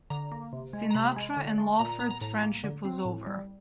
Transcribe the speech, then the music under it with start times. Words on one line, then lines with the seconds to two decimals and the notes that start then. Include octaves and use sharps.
Sinatra and Lawford's friendship was over.
0.10 D3 A#5
0.32 A#3
0.53 C3
0.73 G#3
0.90 A#5
0.95 C3 B5
1.16 G#3
1.37 D3
1.58 A3
1.79 A#2 A#5
1.89 A#5
2.00 B3 A#5
2.11 A#5
2.21 A2 A#5
2.43 A#3
2.64 D3
2.85 C4
3.05 A2
3.27 G3